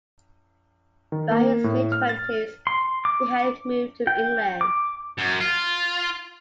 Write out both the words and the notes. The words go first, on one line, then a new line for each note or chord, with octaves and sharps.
By his mid-twenties he had moved to England.
D#3
A#3
A2
F6
A6
C6
D6
G5
D6
F#2
F4